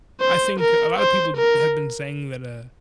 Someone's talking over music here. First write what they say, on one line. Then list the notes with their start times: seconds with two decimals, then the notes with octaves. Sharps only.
I think a lotta people have been saying that, uh
0.21 C5
0.59 A#4
0.98 C5
1.37 A#4